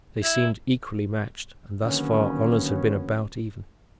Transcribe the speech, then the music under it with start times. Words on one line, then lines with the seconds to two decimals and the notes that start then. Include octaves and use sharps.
They seemed equally matched, and thus far honors had been about even.
0.23 E4
1.83 D3 D#3 F#3 A#3 B3 C#4